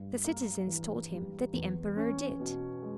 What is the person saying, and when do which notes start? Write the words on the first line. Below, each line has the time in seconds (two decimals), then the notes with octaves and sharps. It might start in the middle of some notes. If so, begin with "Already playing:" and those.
The citizens told him that the emperor did.
Already playing: G2
0.24 A#3
0.67 E3
1.11 G3
1.54 E2
1.96 C#4
2.40 B2
2.82 G#3